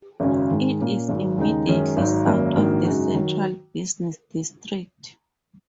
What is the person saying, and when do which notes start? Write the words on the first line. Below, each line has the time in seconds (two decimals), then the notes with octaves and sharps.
It is immediately south of the central business district.
0.20 G#1 F#2 C#3 F#3 C#4
0.50 G#2 D#3 G#3
0.79 A#2 A#3 C#4
1.09 G#1 G#2 F#3
1.38 D#2 C#3 G#3 D#4
1.67 F#2 D#3 G#3 C#4 G#4
1.97 G#1 G#2 F#3 D#4
2.26 G#1 F#2 F#3 A#3
2.55 A#1 G#2 D#3 F#3 A#3
2.85 F#2 C#3 G#3 D#4 F#4
3.14 D#3 F#3